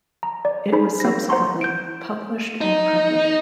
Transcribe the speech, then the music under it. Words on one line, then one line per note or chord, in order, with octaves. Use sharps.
It was subsequently published and printed.
A#5
D5
D#4 G#4 C5 B5
A#3 A#6
C5 F#5 A#5 C6 C#6
G6 D7
D#4